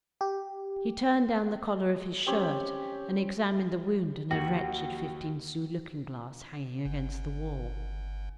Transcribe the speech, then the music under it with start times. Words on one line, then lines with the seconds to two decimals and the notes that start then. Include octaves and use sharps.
He turned down the collar of his shirt, and examined the wound in a wretched fifteen sous looking-glass hanging against the wall.
0.21 G4
2.26 C4 C#4 G4 C#5
4.31 D#2 F#4
6.85 G1